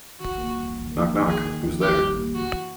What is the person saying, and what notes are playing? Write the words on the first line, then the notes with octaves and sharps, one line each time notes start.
Knock knock! Who's there?
D#3 F#4
A#3
G3
D#3
A#3
D#3
D#3 G#4
D#3
D#3
G3 G4
G3
A#3
F#2 F#4
E3